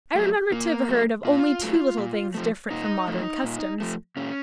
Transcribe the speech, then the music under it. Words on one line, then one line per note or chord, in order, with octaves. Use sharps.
I remember to have heard of only two little things different from modern customs.
F#3 A3
A#2 A#3
F#3 A3
A#2 F4
F#3 A3
A#2
F3 A3
A#2 D#4
F3 A3
A#2
F3 A3
A#2 C#4